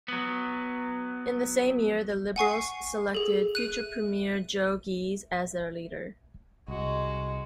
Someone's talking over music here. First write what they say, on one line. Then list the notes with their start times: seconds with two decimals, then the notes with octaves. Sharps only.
In the same year, the Liberals selected future premier Joe Ghiz as their leader.
0.08 F#3 B3
2.36 F#5 G#5 C#6 C7
3.15 G#4 A4
3.55 F#6 D#7
6.68 C2 G#3 F#4